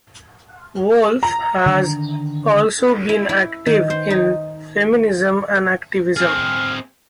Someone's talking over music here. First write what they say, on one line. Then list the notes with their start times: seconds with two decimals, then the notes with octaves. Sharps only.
Wolfe has also been active in feminism and activism.
1.23 A#5
1.66 D3 D#3 D4
3.09 E4
3.29 E4
3.66 D#3
3.90 C5
4.10 D#4
6.16 C4 G#4 F6